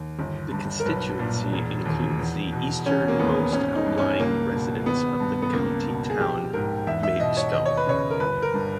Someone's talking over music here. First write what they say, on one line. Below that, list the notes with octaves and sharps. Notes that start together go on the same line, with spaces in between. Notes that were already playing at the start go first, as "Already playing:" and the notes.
The constituency includes the easternmost outlying residents of the county town, Maidstone.
Already playing: D#2
G1
G2
A#4
B1 B4
A#2
E1
D#2
E2
B2
E1 C#4
A#3
D#2 B3
G#1 C#4
D#4
G2
C#4
C#2 A#3
B2
G#1 B3
G2
B3
C#2 A#3
B2
G#4
A#1 G4
G#2 A#4
E2 E5
E5
B2 D#5
C#5
D#2 D#5
C#5
B4
C#3 C#5
A#4
G1 B4
A#4
G2